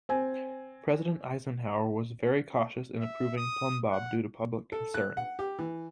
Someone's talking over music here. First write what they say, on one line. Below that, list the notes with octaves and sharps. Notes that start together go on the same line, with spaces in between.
President Eisenhower was very cautious in approving Plumbbob due to public concern.
C4 G#5
E5
D#6
F#5
A4
F#6
F#5
G4
E3